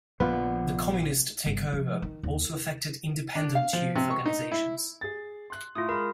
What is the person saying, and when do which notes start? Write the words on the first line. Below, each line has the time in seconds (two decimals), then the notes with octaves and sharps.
The communist takeover also affected independent youth organisations.
0.20 A#1 D3 F3 B3 F4 B4
1.46 G1
1.72 F3
2.02 D#3
2.23 D#2
3.35 D4
3.55 F5
3.73 F3
3.96 C3
4.10 C#6
4.26 D#4
4.51 E4
5.01 G#4 A6
5.50 C6 F#6
5.75 A2 F4 D#6
5.89 G#3 A#4 B5